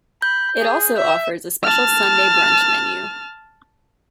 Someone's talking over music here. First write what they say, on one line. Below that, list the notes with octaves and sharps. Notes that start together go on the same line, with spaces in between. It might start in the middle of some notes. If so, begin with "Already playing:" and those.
It also offers a special Sunday Brunch menu.
B5 G6
G#4
E5
A5 F6